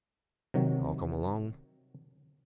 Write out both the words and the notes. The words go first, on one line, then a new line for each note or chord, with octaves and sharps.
"I'll come along."
C3 D#3 F#3